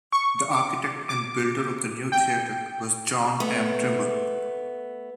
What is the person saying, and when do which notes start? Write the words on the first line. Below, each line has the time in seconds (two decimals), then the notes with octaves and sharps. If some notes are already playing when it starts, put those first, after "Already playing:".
The architect and builder of the new theatre was John M. Trimble.
0.12 C#6
0.55 D6
1.09 D6
2.12 G5
3.40 A3 B3